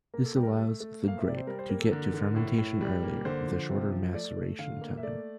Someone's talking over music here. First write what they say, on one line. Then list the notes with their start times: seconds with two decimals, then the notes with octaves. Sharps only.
This allows the grape to get to fermentation earlier with a shorter maceration time.
0.14 A#3 A#4
0.25 A4
0.36 G3 G4
0.43 A#4
0.47 A4
0.58 A3
0.80 A3
1.03 A#3 F5
1.18 E5
1.25 C3 D5
1.37 C5
1.47 G3 A#4
1.59 C5
1.69 A#3 A#4
1.80 A4
1.92 D3 A#4
2.14 D3
2.36 A2
2.58 A2
2.81 G3
3.03 A#3
3.25 D3 C5
3.47 F3
3.70 C3
3.92 F3
4.14 A3 D5
4.37 A3
4.59 D3 F5
4.81 A#3
4.97 E5
5.03 A3 D5